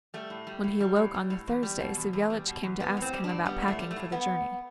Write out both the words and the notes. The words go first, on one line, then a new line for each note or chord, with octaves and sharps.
When he awoke on the Thursday, Savelich came to ask him about packing for the journey.
G3 A3
A2
G3
A2
G3
A2
G3
A2
E2
G3
B2
E2
E2
G3
B2
E2
G3 B3
A2
C4
G3
D4
A2
G3 B3
A2
A3
G3
A3
A2
B3